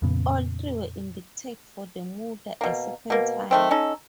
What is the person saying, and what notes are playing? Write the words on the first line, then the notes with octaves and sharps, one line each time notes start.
All three were indicted for the murder a second time.
F2 A#2 C#3 B3
B2 A#3
B2 A#3
D#3 A3 C4
C#4 D#4 A4